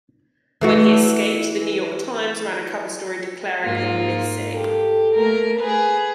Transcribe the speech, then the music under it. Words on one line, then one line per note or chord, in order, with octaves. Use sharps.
When he escaped, "The New York Times" ran a cover story declaring him missing.
E3 A3 F#4
G#2 A#3 F4
G4 A4
A3 A#3 A#4
G#4 B4